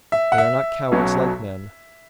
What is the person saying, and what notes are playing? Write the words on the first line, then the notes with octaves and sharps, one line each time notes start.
They are not cowards, like men.
E5
F#5
E5
B1 B2 F#3 C#4